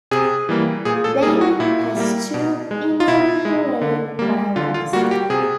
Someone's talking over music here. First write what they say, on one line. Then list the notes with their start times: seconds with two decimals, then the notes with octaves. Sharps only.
Dang has two "Inner Terai Valleys".
0.11 C3 G#4
0.49 E3 G3 A#3
0.85 A#2 G#4
1.04 A4
1.23 G3 A#3 G#4
1.41 F#4
1.60 A#2 E4
1.97 G3 A#3
2.34 B2
2.71 G#3
3.00 F4
3.08 B2 E4
3.45 G#3
3.81 D3
4.19 G3 A#3
4.56 D3 F4
4.74 F4
4.93 G3 A#3 F#4
5.11 G4
5.30 C3 G#4